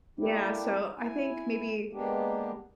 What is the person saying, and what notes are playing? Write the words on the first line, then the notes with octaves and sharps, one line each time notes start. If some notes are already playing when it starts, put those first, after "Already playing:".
yeah, so I think maybe
A3 A#3 D4 E4 G4
E4 G#5
G#3 A#3 B3 D4 G4